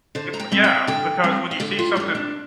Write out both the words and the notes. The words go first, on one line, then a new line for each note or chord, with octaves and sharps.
That's what yeah, because when you see something
D3 C5
A#5
G5
G3 C4
G5
D3 G5
G3 C4
F5
D3 G5
F4
G3 C4 D4
D4